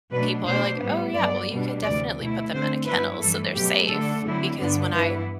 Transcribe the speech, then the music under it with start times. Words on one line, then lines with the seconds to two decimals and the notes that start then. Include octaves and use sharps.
people are, like, "Oh yeah, well you could definitely put them in a kennel so they're safe," because when I,
0.11 B2 F#3 A3 D4 B4
0.45 B2 A3 D4 C5
0.80 A2 G3 B3
1.14 G2 F#3 B3 D5
1.49 B2 G3 D4
1.83 D2 C3 E3 D5
2.18 B2 A3 E4
2.52 D3 A3 C4 C5
2.86 G2 F#3 B3 E4 B4
3.21 G2 E3 A3 A4
3.55 B2 F#3 A3 G4
3.90 D3 A3 D4 A4
4.24 D3 F#3 C4 E4
4.59 G2 D3 G3 B3 D4
4.93 G2 E3 B3 E4 B4